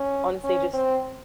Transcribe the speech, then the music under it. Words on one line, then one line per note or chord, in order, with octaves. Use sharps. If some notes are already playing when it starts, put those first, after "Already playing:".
honestly, just
Already playing: C#4
C#4
C4